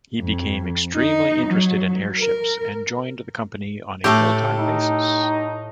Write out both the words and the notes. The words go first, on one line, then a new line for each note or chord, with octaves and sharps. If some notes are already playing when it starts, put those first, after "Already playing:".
He became extremely interested in airships, and joined the company on a full-time basis.
F2
D#4
F#3
A#4
A2 A3 G4 A4
D#4